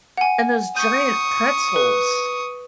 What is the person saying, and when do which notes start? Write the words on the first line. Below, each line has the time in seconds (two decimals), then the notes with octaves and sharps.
And those giant pretzels.
0.17 F#5 G#5
0.76 C#6 D#6 G6 D#7
1.76 B4